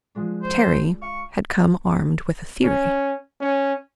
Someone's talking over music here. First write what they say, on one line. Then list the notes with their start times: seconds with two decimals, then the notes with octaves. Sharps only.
Terry had come armed with a theory.
0.15 F3 G#3 D4
0.43 C5
0.56 E6
1.02 F5 C#6
2.64 C#4
3.41 C#4